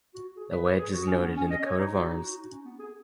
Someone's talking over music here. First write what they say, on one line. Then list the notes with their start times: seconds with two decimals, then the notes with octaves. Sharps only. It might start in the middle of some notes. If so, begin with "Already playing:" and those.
The wedge is noted in the coat of arms.
0.14 F#4
0.37 G#4
0.51 B4
0.64 B4
0.79 G#4
0.94 F#4
1.07 C#4
1.21 B3
1.37 C#4
1.50 D#5
1.65 C#5
1.79 D#4
1.94 F#4
2.08 D#4
2.23 F#4
2.37 D#4
2.51 C#4
2.65 B3
2.79 G#4